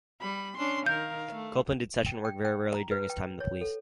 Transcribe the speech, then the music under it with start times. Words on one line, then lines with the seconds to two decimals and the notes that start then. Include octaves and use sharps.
Copeland did session work very rarely during his time in The Police.
0.21 G3 B5
0.57 C#4 D4 C6
0.86 D#3 A#4 F5 G6
1.32 A3
2.06 G5
2.25 G5
2.45 G5
2.74 A#5
2.91 B4
3.10 G5
3.40 C#5
3.61 A4